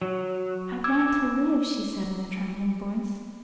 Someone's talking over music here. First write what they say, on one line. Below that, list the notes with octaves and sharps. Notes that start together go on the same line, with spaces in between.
"I want to live," she said, in a trembling voice.
F#3
D6 E6 G#6